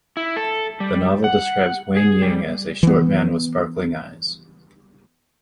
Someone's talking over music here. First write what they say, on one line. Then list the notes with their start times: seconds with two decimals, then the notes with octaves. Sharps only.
The novel describes Wang Ying as a short man with sparkling eyes.
0.17 E4
0.36 A4
0.80 G3
1.24 F#5
1.97 G#4
2.22 G3
2.83 E3 B3